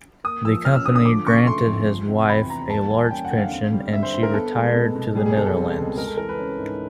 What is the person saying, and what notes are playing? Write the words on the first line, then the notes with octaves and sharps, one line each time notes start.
The company granted his wife a large pension and she retired to the Netherlands.
A#3 D#6
F3 E6
C#4 F6
E6
D3 D#6
D#6
F3 D6
C#3 C#6
A3 C6
F2
F3
C3
E2 B5
E2 A#5
A#3 A5
G3 G#5
C#4 G5
F#5
D3
F5
C4
G3
D3 E5
C5
D3 C5
A#4
B3 A4
G#3
B2
B2
G3 G#4
G#4
B2 A4
A4
C4
C#2
G#3 A#4
A4
E3 A#4
B4
C#4
G#2